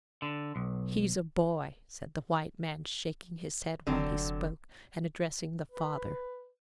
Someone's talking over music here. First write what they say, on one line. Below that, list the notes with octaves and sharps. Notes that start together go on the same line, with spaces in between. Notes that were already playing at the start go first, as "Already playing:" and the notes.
"He's a boy!" said the white man, shaking his head while he spoke, and addressing the father.
D3
B1
F1 D3 F#3 C4
B4